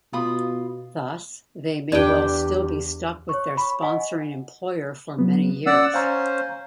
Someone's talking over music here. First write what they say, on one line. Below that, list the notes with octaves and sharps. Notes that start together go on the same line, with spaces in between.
Thus, they may well still be stuck with their sponsoring employer for many years.
B2 F4 B5 D#6
E2 D4 G4 B4 D5 G5
C#5 C#6
B5 C#6
D#5 F#5 G#5
F#3 B3
C#4 D5 F#5 E6
C#4 C5 F5 A#5